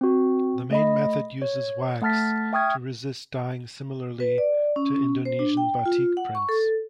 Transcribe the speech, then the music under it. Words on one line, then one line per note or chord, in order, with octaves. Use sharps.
The main method uses wax to resist dyeing similarly to Indonesian batik prints.
C4 F#4
A3 D#5 B5
C#5
A3 F#5 A5 F6 A6 B6
E5 G5 C#6 D#6 F6 G#6
B4
D5
C#4
C5
D4
G5
F4
F#5
C#6
A4